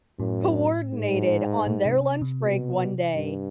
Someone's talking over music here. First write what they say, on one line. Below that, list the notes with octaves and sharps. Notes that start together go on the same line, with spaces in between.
coordinated on their lunch break one day
F#2 A2
G#2
A#2
C3
C3
B2
G2